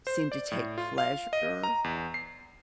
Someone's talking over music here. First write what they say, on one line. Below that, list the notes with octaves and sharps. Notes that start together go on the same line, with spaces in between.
seem to take pleasure
C5
D5
A2
F4
F5
D#5
A#5
E2
C7